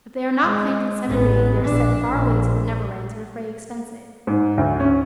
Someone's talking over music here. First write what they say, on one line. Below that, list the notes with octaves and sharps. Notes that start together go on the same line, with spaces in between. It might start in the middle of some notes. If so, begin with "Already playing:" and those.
If they are not claimed in seven days they are sent far away to the Neverland to defray expenses.
G#3
A1 B3
A#1 D4
A#1
G#2
D2
C#4